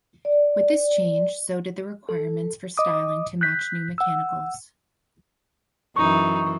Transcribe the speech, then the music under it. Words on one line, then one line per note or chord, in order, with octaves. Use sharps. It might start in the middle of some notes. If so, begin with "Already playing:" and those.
With this change so did the requirements for styling to match new mechanicals.
D5
A4
D#5 D6 D#6
F#6 G6 B6
F#5 E6
F#2 E3 D#4 C#6